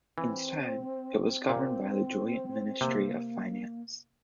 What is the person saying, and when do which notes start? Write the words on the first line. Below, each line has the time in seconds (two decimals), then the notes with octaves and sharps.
Instead, it was governed by the joint Ministry of Finance.
0.18 E3 C4
1.49 A#2 C4
2.81 C3 A#3